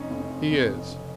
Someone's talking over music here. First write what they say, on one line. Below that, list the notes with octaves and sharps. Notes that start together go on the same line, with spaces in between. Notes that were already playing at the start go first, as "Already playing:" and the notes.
"He is."
Already playing: F1 F2 C#4 D#4
F1 C#4
F2
F1
F2
C#3